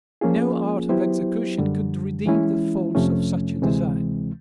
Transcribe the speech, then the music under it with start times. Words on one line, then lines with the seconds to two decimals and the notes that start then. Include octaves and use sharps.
No art of execution could redeem the faults of such a design.
0.21 F3 A#3 C#4 F4 G#4
0.89 F#3 B3 E4 G4 C5
1.58 F#2 D3 G3
2.26 E3 G#3 C#4 E4
2.95 F2 C3 F3 A3 C#4
3.62 D2 C3 E3 G#3 C4